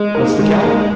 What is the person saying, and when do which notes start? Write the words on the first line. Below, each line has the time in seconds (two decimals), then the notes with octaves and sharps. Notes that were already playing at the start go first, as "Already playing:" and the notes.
"What's the calibre?"
Already playing: G#3
0.15 A#3 D#4 A#4
0.38 D#3 G#3
0.63 A#3 D#4 A#4